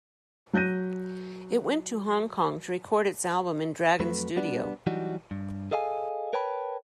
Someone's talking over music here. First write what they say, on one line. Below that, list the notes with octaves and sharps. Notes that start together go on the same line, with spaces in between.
It went to Hong Kong to record its album in Dragon Studio.
F#3 F#6 G6 A#6 D#7
F2 F#3 A3 B4
G3 B3 D4
E3 F#3 G3 D#4 F#4
G2
G#4 A4 D#5 F5 F#5 G#5
A#4 B4 C#5 G5 A5 B5